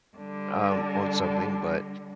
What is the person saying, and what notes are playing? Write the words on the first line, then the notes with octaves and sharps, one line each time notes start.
um, on something, but,
D3 G3